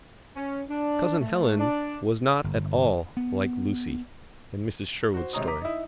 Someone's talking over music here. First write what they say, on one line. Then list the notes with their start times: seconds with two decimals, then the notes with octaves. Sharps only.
Cousin Helen was not at all like "Lucy," in Mrs. Sherwood's story.
0.36 C#4
0.69 D4
1.20 A3
1.59 D4
2.44 G1
3.17 B3
5.14 F#4 C5
5.33 G#1 C3 G#3 C#5 A#5 D#6
5.47 A#5 D6 B6
5.61 D#4 E4